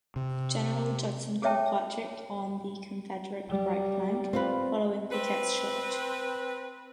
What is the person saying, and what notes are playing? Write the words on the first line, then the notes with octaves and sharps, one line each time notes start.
General Judson Kilpatrick on the Confederate right flank, following Pickett's Charge.
C3
G#4 A4 C#5 E5 G5 A5
G3
C4 F4 B4
C4 B4